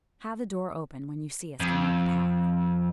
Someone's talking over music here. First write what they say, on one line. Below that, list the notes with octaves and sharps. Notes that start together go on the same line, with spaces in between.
"Have the door open when you see us coming up the path."
F2